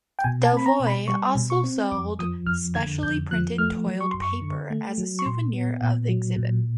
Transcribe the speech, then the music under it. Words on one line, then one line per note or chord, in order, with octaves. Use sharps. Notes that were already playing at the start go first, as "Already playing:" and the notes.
Delvoye also sold specially printed toiled paper as a souvenir of the exhibit.
G5
B2 G#5
A5
C4 B5
A#5
B2
B5
G3 C#6
B2
C#6
C4
F2 D6
F3 D#6
F2 F6
D3 G#6
F2 G6
F3 F#6
A3 F6
F#3
C#6
F#2 C6
C#6
D3
A3
F#3
C#6
A#2 C6
B3
A#2
F#3
A#2